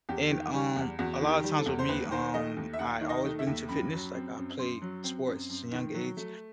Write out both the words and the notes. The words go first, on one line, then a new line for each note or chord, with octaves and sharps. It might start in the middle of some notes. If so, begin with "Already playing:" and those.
And, um, a lot of times with me, um, I always been into fitness. Like, I played sports since a young age,
E2 G4
D#3
G3
E2
E2 F#4
D#3
G4
G3
A4
E2
C5
D#2 B4
D#3 C5
A3 D#5
D#2
E5
D#2 F#5
D#3
D#5
A3
E5
D#2
F#2 B5
F#3
C4
F#2
F#2 C6
F#3
C4
F#2
F#2
D#3
F#3
A3